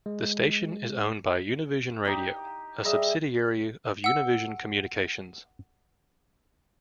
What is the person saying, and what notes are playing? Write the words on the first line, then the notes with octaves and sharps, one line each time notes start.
The station is owned by Univision Radio, a subsidiary of Univision Communications.
G#3
D#4 G4
G3 G#4 D#5 E5
F#5 E6